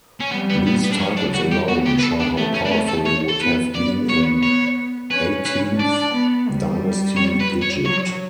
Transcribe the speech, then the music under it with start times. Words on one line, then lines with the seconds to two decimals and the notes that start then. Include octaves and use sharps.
These titles alone show how powerful he would have been in Eighteenth Dynasty Egypt.
0.21 C#4
0.31 G3 B3
0.50 B3
0.66 B3
0.83 B3
0.92 D4
1.00 F#3 C#4
1.17 D4
1.34 G3 F#4
1.52 G4
1.68 B3 F#4
1.86 G4
1.99 B4
2.03 A4
2.20 D4
2.37 A3 B3
2.54 C#4
2.65 D4
2.72 A3 C#4
2.88 A4
3.06 C#5
3.29 A4
3.40 B3 B4
3.75 B3 D5
4.09 C#5
4.43 C#5
5.11 C#4 B4
5.45 B4
5.79 D4 D5
6.14 B3
6.49 G3
7.16 C#5
7.40 B4
7.62 C#5
7.85 F#3 C#5